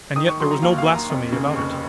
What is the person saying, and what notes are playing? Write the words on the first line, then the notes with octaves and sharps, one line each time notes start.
And yet there was no blasphemy about it.
D#3 D#6
C#6
F#3 C6
A#5
D#2 F5
F5
D#2
A#5
F2
C#3
F1 C#6